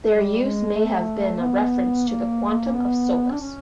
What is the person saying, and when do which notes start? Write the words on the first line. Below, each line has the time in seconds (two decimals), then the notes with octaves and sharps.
Their use may have been a reference to "Quantum of Solace".
0.08 G3
0.41 G#3
0.75 A3
1.41 B3
2.09 A#3
2.75 B3
3.32 D4
3.40 C#4